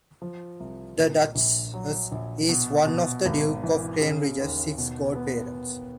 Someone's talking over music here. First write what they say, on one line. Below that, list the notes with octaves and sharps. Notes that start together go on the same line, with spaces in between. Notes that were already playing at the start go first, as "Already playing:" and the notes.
The Duchess is one of the Duke of Cambridge's six godparents.
F3
C2
A#2
A#1
F#3
A#1
B2
B2
G#1
E3
C#3
D#2
B2
B3